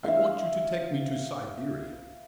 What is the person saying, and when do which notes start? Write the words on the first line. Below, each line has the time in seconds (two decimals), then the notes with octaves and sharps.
"I want you to take me to Siberia."
0.04 E5 F5